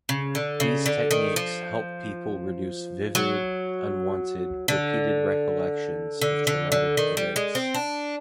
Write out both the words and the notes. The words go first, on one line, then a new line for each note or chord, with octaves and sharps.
These techniques help people reduce vivid, unwanted, repeated recollections of traumatic events.
C#3
D3
C#3
D3
D#3
F3
F#3
D3
D3
D3
D3
D#3
G3
G#3
C4
D4